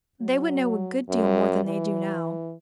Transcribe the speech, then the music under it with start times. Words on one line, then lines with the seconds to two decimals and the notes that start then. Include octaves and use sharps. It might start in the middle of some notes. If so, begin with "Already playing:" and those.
They would know a good deal more than they do now.
0.21 F#3
1.09 F#2
1.65 E3